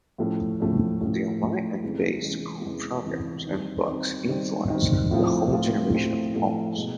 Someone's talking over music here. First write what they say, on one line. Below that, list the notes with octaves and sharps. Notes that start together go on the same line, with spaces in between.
The Enlightenment-based school programmes and books influenced the whole generation of Poles.
A2 F3 A3 C#4
A2 F3 A3 C#4
A2 F3 A3 C#4
A2 F3 A3 C#4
E2 C3 E3 G#3 C#4
E2 C3 E3 G#3 C#4
E2 C3 E3 G#3 C#4
E2 C3 E3 G#3 C#4
D#3 G3 C4
D#3 G3 C4
D#3 G3 C4
D#3 G3 C4
A2 F3 A3 C4 F4
A2 F3 A3 C4 F4
A2 F3 A3 C4 F4
A2 F3 A3 C4 F4
B2 G#3